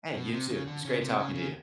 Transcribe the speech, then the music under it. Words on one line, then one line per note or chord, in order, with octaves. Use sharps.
Hey, you too. It's great talking to you.
B2
C3
C#3
D3
C#3
C3
C#3
C#3